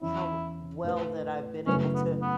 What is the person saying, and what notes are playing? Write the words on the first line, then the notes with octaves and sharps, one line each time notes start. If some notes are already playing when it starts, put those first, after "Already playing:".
how well that I've been able to
E2 E3 C#4 E4
A2 A3 E4 B4
F#2 C#3 A3 C#4 E4 B4
B3
B3